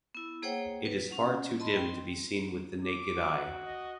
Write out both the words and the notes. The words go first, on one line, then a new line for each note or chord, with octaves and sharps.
It is far too dim to be seen with the naked eye.
B3 E4
A#3 G#4 C5 C#5 F#5 G5
B4
C#4 F#5
D#5 A5 B5 C6
G5 C6
D6
F#4
D#5